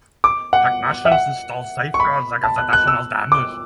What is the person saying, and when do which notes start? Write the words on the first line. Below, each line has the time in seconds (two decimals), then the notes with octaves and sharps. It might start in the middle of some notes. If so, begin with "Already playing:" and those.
Technicians installed safeguards against additional damage.
0.24 D6
0.53 F#5
1.05 E5
1.12 F#5
1.94 C#6
2.00 B5
2.43 A5
2.58 F#6
2.73 F#6
2.87 E6
3.32 D6